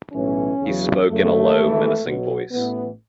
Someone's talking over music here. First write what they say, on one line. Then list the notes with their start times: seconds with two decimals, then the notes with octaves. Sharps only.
He spoke in a low, menacing voice.
0.12 B1 A2 E3 C#4
0.60 E2 C#3 F#3
1.08 F#1 F#2 C#3 F#3 A3
1.55 G#1 G#2 E3
2.03 B1 B2 F#3
2.50 A1 A2 E3 B3